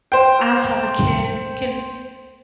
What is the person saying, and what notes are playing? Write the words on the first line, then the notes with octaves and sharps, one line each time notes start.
I'll have a kid, and we can
C5 G5